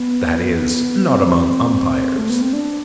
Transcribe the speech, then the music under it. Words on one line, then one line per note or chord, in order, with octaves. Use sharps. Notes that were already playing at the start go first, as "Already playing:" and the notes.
That is, not among umpires.
Already playing: B3
C4
A3
B3
C4
D4